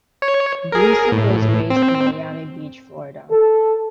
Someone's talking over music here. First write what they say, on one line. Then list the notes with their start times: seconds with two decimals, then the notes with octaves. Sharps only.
Gleason was raised in Miami Beach, Florida.
0.22 C#5
0.72 G#4 A#4
1.12 A2
1.70 C4
3.31 A4